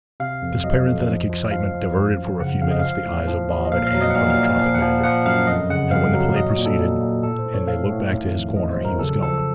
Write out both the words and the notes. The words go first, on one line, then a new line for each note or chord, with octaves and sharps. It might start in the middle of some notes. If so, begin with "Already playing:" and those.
This parenthetic excitement diverted for a few minutes the eyes of Bob and Anne from the trumpet-major; and when the play proceeded, and they looked back to his corner, he was gone.
C3 F5
F2
F#3 D#5
F2
F3
F3
F3 F5
F3
F#2
F#2
C#3 F#5
C#3 F5
D#5
F3 F5
A2
F3
F3
D#5
A#2 F5
F5
F#3
D#5
F#5
A#2 F5
F5
A#2
F5
F3 F5
F#5
F3
F3 F#5
F#2 F5
F2 D#5
C#3 F#5
F2 F5
F#3
A#2 D#5
F#4
A#2
A4
A#2
A#2
A2 A4
C5
A2
C#5
A2 F5
A2
D#3
F2
F2 D#5
C5
F#3
A#4
C#3 A4
F3 A4